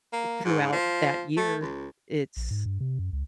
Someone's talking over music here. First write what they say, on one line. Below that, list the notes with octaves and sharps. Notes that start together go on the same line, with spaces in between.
throughout that year, it's
A#3
G#2
F3
A3
C#2
A#1
G#2
G2
C3
F#2
C#2